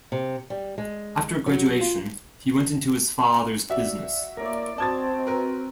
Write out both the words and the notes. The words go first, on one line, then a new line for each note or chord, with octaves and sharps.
After graduation, he went into his father's business.
C3
G3
G#3
F#3
F4
F#4 D5 E5
A#3 E4 A#4 C#5 D5
C4 F#4 D#5 A5 G#6 A6
A#4 B4